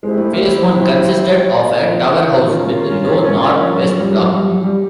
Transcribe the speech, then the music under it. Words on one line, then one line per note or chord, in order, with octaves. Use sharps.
Phase One consisted of a tower house with low north-west block.
G#3 E4 G4 C5
A3
A#3
F#3
F3
E3
D#3 C#4 F4 A#4
F3
F#3
G3
F#3
G3
F#3
G3